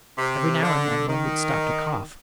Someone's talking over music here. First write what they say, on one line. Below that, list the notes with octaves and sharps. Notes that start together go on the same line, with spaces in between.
Every now and then one would stop to cough.
C3
D3
D#3